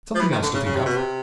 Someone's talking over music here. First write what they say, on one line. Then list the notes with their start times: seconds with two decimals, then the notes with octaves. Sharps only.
Something else to think of.
0.15 F3
0.20 E3
0.32 D#3
0.43 D3
0.54 C#3
0.65 C#3
0.76 C3
0.85 B2
0.96 C3